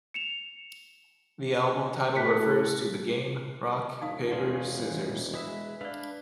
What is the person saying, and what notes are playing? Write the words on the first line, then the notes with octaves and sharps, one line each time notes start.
The album title refers to the game rock-paper-scissors.
C#7 E7 F7
A2 F#6 B6 C#7
E1 D#4 F5 D#6
C#4 F4 G#4 B4 D5 F#5
G#3 B4 E5 D#6
D4 B4 D5 F5 E6